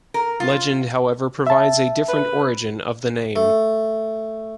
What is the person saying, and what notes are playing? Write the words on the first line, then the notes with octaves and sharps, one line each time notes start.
Legend, however, provides a different origin of the name.
A#4
F4
E5 A5
B4
A3